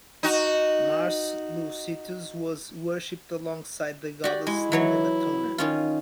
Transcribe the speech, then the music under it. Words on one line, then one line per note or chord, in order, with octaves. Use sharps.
Mars Loucetius was worshipped alongside the goddess Nemetona.
D#4 F#4
F#4 G4 D5
G#3 E4
E3 F#3 C#5
D#3 C#4 F4